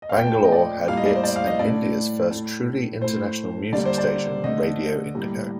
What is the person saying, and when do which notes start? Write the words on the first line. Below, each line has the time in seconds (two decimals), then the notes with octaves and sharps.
Bangalore had its and India's first truly international music station Radio Indigo.
0.02 D#5
0.09 F5
0.17 A#2 G5
0.22 A3 A5
0.34 G5
0.44 D#5
0.52 D5
0.88 A2 G3 A#3 F5
0.97 D#5
1.05 D5
1.15 C5
1.24 D5
1.36 F5
1.47 D#5
1.59 A2 A3 D5
2.31 A2 A3
3.01 A2 A3 C5
3.73 D3 G3 A#3 D5
3.85 C5
3.98 D5
4.44 D3 A3 D#5
5.15 A2 G3 A#3